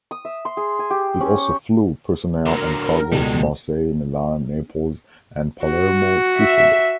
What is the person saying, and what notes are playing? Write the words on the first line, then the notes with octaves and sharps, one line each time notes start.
It also flew personnel and cargo to Marseille, Milan, Naples and Palermo, Sicily.
D#6
E5
C6
G#4
G#5
G4
C#4
C#5
D3 F#3 A#4
C#2 B2 G3 G#3 A4
F#4
E5